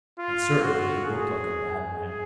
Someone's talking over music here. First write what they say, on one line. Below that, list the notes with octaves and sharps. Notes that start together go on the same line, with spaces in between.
And certainly he looked like a madman.
F4
F#4
G#4
G#4